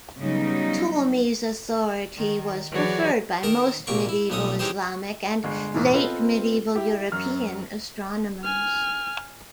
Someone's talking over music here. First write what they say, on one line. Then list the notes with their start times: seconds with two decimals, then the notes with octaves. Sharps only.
Ptolemy's authority was preferred by most medieval Islamic and late medieval European astronomers.
0.19 C#3 F#3 G3 B3 D#4
2.17 D#3
2.71 E3 F#3 F#4 G#4 C#5 D5
3.43 D#3 A#4 A5 D6
3.87 A#1 C3 A#3 C#6 D6
4.09 E4
4.30 B1 F2 A3 C#4 D#6
4.59 E3 C#4 D#4 G4 G#4 C5
5.44 G1 G#3
5.74 B1 E2 A2
5.94 B3 C4 F4 A4 B4 D#5
6.76 E4 G4
7.12 F#2 F#3 F6
8.44 G#5 F6